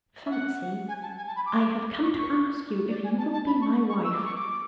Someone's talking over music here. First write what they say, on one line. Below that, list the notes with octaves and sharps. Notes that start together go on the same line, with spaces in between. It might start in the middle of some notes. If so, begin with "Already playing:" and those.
"Fancy, I have come to ask you if you will be my wife?"
E5
F#5
G#5
A5
G#5
A5
B5
D6
C#6
C#6
D5
G#5
A5
A5
B5
C#6
C#6
E6
D6
C#6
D6